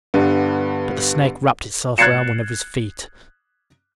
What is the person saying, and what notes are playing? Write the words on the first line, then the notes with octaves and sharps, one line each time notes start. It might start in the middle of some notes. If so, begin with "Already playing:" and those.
But the snake wrapped itself around one of his feet.
G2 D3 G3 B3
F#6 G#6 A6 C7 C#7 E7